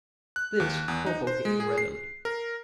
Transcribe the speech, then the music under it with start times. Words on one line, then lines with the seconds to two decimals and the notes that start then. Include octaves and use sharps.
This Bobo gave readily.
0.36 F#6
0.60 D#2
0.88 E2
1.06 D#4
1.27 C5
1.45 G#3
1.60 G#4
1.78 C7
2.25 A#4